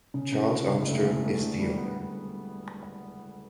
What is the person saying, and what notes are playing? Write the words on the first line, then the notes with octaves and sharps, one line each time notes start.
Charles Armstrong is the owner.
C#3
C#3
C#3
F#1
D2
E1
A3
D3
G3
B3